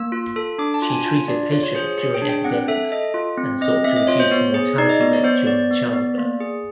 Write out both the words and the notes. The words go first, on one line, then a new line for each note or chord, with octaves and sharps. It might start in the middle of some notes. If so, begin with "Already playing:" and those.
She treated patients during epidemics and sought to reduce the mortality rate during childbirth.
Already playing: A#3 E6
F4
A4
D4 D6
A5
F4
G#5
F4
D4 D5
F4 C#5
C#5
G#4 C5
C#5
G#4 C#5
G5
D4
G5
C4 F#5
A4 E5
A4 D#5
F4
C4
C4 D#5
C4 E5
D#5
F4 C#5
C5
B3 C#5
G#4
D#4 D5
D#5
B3 D5
C#5
B3 C5
B3 D5
B3
B3
A#3
G#4